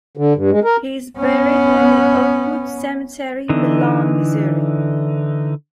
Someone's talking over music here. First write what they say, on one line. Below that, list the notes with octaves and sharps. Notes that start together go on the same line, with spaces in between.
He is buried in the Oakwood Cemetery, Milan, Missouri.
D3
G2
G#3
A#4
B3 C#4
D3 E3 D#4